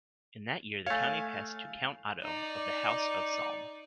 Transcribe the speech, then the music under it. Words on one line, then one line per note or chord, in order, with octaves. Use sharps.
In that year, the county passed to Count Otto, of the House of Salm.
A3 C#5 F5 G#5
D#4 D5